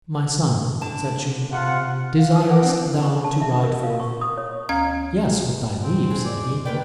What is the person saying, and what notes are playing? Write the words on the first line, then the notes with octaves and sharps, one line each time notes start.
"My son," said she, "desirest thou to ride forth?" "Yes, with thy leave," said he.
D3 A5
C3 F4 F#5
F5
D#6
A#4 F#5 D6
B3 C4 D4
C#6
A5
E5
A#4
F5
C#6
D#6
C#5
D2 C#4 F5 G#6
C4
G#3
D5
A#3 B4 D5 G5